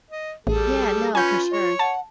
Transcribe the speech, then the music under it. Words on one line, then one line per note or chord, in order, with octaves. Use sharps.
Yeah, no, for sure.
D#5
A1 G3 G#4 A4
C#4 F4 B4 G#5 C#6 G6
C#5
F#5 A5